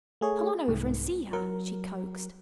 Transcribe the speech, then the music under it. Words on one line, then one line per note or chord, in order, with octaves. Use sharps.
"Come on over and see her," she coaxed.
A3 G#4 C#5
C2 G#2
F#3 A#4